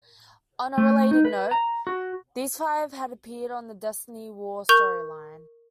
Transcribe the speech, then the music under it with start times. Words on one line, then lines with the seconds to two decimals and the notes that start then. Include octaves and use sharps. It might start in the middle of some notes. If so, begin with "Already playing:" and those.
On a related note, these five had appeared in the "Destiny War" storyline.
0.78 A3
1.11 D#4
1.25 B4
1.51 A#5
1.87 F#4
4.69 A#4 C#6 G6 F7